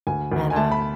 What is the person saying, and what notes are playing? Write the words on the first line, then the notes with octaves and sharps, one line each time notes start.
and a
D2 G#5
D2
G#5
A3 A5
B5